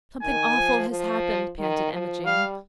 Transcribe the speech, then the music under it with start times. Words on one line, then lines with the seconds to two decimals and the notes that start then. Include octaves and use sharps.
"Something awful has happened," panted Emma Jane.
0.23 D#3 G#5
0.57 F3
0.90 F3
1.59 D#3
1.92 F3
2.26 G3 F5